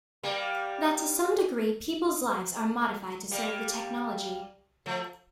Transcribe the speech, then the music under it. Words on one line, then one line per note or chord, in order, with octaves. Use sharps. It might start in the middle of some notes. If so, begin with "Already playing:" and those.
That to some degree peoples lives are modified to serve the technology.
G3 A#3
G3 A#3
F3 A3